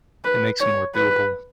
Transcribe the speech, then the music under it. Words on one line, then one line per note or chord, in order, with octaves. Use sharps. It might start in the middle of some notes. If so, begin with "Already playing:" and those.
It makes it more doable.
B4
C#5
B4